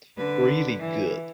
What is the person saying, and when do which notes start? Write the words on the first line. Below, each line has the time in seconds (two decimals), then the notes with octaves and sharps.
Really good.
0.16 D3 B4
0.80 E3